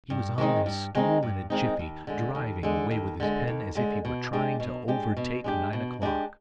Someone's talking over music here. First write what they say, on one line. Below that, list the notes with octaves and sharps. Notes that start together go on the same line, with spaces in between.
He was on his stool in a jiffy; driving away with his pen, as if he were trying to overtake nine o'clock.
G2
D#3 G#3 C4 D#4
G2
D#3 G#3 C4 D#4
G2
D#3 G#3 C4 D#4
D#2
D3 G#3
D#2
D3 G#3
D#2
D3 G#3
D#2
D3 G#3
B2
G#3 D4 G4
B2
G#3 D4 G4
B2
G#3 D4 G4
B2
G#3 D4 G4